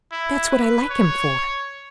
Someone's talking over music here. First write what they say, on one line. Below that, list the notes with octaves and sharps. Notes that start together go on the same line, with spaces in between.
"That's what I like him for."
E4
B4
C#5